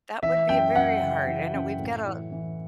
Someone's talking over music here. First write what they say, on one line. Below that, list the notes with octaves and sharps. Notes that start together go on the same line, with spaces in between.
that would be very hard. I know we've gotta
E3 E5
F#2 G5
F#2 F#5
C#3
E3
F#2
A2
E3
E3